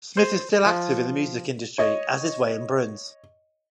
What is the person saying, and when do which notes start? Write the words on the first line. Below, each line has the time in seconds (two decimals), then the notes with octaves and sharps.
Smith is still active in the music industry, as is Wayne Bruns.
0.17 C5
0.66 F3
1.78 C#5 D#5